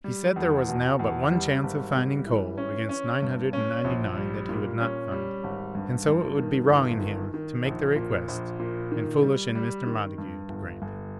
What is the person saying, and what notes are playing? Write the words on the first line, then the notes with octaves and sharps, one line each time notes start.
He said there was now but one chance of finding coal against nine hundred and ninety nine that he would not find it, and so it would be wrong in him to make the request and foolish in Mr. Montague to grant it.
G3
E2
B2
E2
G3
G#1
G3
E3
C#4
C#4
G2
C#4
A#1
G3
A#2
C#4
G3
G#1
G2
G2
D#3
G1
D#3
D#3
A#1
A#2
A#1
A#2
D#3
G3
G3
D#3
G2
G1
G1